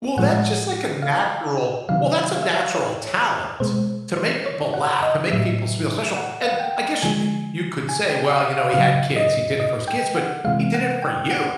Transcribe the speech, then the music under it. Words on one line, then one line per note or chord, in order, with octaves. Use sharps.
Well, that's just like a natural well, that's a natural talent to make people laugh, to make people feel special and I guess y you could say, well, you know, he had kids, he did it for his kids, but he did it for you.
A2 F3 G#3 F#5
F5
C3 D#3 F#3 F5
F5
E5
F5
C#5
B2 G#3 C5
C5
C#5
F#5
D#5
A2 F#3 E5
F#5
F5
F#5
G5
D3 F3 G#3 G#5
G#5
G5
F#5
F5
C#3 F#3 F5
D#5
D#5
G5
F#5
C3 E3 G#3 F5
F#5
G5
F#5